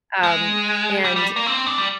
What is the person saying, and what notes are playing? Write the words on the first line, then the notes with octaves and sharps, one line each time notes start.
um and
G#3
G3
G3
A#3
C4
D4
G3